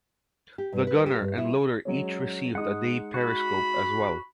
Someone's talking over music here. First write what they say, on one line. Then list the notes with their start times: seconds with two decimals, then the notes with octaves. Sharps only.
The gunner and loader each received a day periscope as well.
0.58 G4
0.73 G2
0.87 B4
1.06 G4
1.20 G2
1.38 E4
1.85 F#3 G#3 C#4
2.55 G#3 D#4 F#5 D#6
3.14 F#4 B5